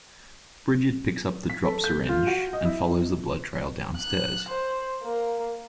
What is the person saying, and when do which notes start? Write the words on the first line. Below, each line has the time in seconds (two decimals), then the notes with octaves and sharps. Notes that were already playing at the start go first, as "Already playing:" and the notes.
Brigitte picks up the dropped syringe and follows the blood trail downstairs.
1.50 B6
1.64 A4
1.84 G6
2.09 F4
2.27 F#4
2.53 D#5
2.65 E4
3.97 F#6
4.48 C5
5.03 A#3